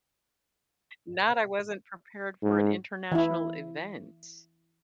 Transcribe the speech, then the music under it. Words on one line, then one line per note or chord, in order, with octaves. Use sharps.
Not, "I wasn't prepared for an international event."
G#2
E3 E4